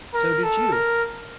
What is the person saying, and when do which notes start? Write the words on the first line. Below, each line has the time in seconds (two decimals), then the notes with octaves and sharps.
So did you.
0.14 A#4
0.43 A4
0.72 A#4